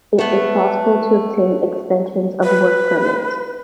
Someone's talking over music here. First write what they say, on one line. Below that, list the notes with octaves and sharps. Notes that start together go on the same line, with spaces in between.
It is possible to obtain extensions of work permits.
A3 B3
B4